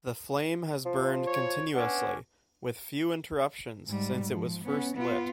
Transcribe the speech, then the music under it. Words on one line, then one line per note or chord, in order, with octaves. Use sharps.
The flame has burned continuously with few interruptions since it was first lit.
F3
C#5
B3 C#4 D4
G#2 G3
F3
B3 C#4
B3 F4